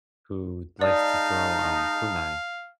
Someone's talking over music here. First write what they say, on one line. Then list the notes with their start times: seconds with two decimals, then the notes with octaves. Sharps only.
who likes to throw, um, kunai,
0.81 G#3 D#4 D5 F5 A5